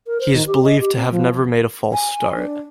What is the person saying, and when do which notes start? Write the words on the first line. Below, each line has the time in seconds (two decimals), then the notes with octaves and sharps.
He is believed to have never made a false start.
0.07 A#4
0.20 C5
0.34 D#3
0.47 G4
0.63 D#5
0.80 G4
0.95 C4
1.10 F3
1.92 G#5
2.36 D4